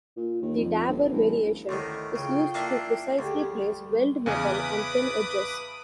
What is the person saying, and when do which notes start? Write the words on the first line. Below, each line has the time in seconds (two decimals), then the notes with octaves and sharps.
The dabber variation is used to precisely place weld metal on thin edges.
0.17 A#2
0.42 D#2
0.57 F2
0.88 G1
1.12 A1
1.69 D2 A2 D#3
2.16 C#3 F4 G5
2.54 A#3 D4 E4
3.19 D2 G4 G#4
3.52 G3
4.26 E2 C#3 B4 G#5 D6 D#6